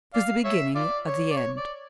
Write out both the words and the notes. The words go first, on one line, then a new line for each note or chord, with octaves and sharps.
It was the beginning of the end.
D5 F5
C#5 E5
F4 D5
C#5
D5
C#5
D5